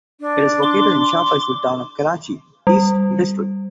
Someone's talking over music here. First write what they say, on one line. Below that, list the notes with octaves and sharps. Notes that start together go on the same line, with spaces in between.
It is located in Shah Faisal town of Karachi East district.
D4
C6 D6
G3